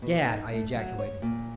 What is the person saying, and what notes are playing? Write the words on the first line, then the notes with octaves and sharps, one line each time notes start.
"Gad!" I ejaculated.
B2
D#4
A3
F#3
C#5
A#2